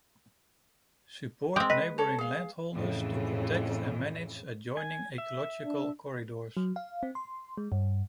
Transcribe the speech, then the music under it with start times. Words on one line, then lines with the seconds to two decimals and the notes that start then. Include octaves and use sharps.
Support neighbouring landholders to protect and manage adjoining ecological corridors.
1.56 G#3 C4 G5 D6 G6
1.70 B4 D#5
1.98 A4 C#5
2.18 G#4 F5
2.73 F2 A2 C#3 E3
4.77 G#5
5.18 E5
5.64 D4
6.57 F#3
6.76 F5
7.03 C4
7.15 C6
7.58 G#3
7.72 G2